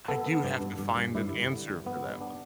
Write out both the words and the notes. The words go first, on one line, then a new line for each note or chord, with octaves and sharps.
I do have to find an answer for that one.
B3 A4
B3
G2
G2
G2
G2
G2 E4
D3
D3
G3
G2 B3
G2
B3 D4